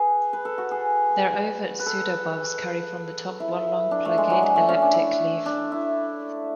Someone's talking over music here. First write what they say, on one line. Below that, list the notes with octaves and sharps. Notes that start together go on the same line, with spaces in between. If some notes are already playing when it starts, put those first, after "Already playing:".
Their ovate pseudobulbs carry from the top one long, plicate, elliptic leaf.
Already playing: G#4 B4
B4
A4
F#4
G#4
B4
A4
E4
D4
A3
G#3
F#3
G#3
A3
C#4
D4
E4
D4
E4